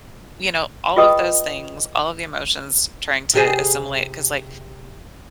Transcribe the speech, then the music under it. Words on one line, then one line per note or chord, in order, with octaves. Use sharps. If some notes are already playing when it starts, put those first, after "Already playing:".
you know, all of those things, all of the emotions trying to assimilate 'cause, like,
F4 G#4 B4 D#5 G5 D#6
C3 G4 G#4